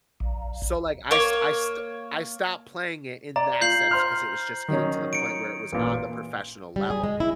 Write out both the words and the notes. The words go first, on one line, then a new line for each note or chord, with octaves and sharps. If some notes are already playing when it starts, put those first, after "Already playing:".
So like I st I st I stop playing it in that sense 'cause it was just getting to the point where it was on the professional level.
A#1
A#3 C#5
D5 A#5
F4 G6 C7 F#7
C5 C6 F6
D#3 F#3 C#4
C#7 D7
A1 A#2
G3
G#4
G#3
E4